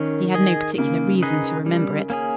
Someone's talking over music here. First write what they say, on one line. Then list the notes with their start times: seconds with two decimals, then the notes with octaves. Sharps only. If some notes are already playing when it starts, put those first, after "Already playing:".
He had no particular reason to remember it.
Already playing: D#3 C#4
0.35 G#4 D#5
0.78 C#3 A#3
1.22 D#4 G#4 B4 D#5
1.66 G3
2.10 A#3 C#4 G#4